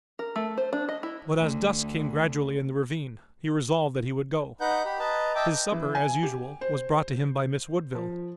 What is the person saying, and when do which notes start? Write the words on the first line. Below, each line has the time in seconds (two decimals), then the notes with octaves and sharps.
But as dusk came gradually in the ravine he resolved that he would go. His supper, as usual, was brought to him by Miss Woodville.
0.19 A#4
0.36 A3
0.58 C5
0.73 D4
0.89 D#5
1.03 E4
1.38 D2
4.61 D#4 B4 F#5 G6
4.85 G4 B5
4.99 B4 D#5 A5 A#5
5.35 D#5 E5 G5 A5 D6
5.72 E3
5.95 G#5
6.23 G4
6.61 C5
7.95 F3